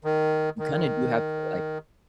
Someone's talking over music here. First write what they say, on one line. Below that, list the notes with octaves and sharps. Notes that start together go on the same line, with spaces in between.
you kind of do have to, like,
D#3
D#3